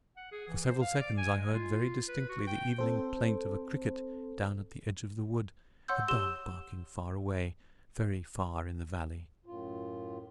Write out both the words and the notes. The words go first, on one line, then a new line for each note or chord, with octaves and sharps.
For several seconds I heard very distinctly the evening plaint of a cricket down at the edge of the wood, a dog barking far away, very far in the valley.
F#5
G#4
E3
C5
F5
D5
G#5
G#3
F4
B4
F#4
G5
C4 A4 C5
C#5 F#5 C6 E6 G6
G4 C6 E6 E7 G7
F#2 A2 F4